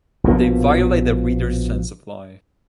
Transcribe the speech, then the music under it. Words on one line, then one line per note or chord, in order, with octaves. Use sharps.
They violate the reader's sense of life.
A#1 B2 F3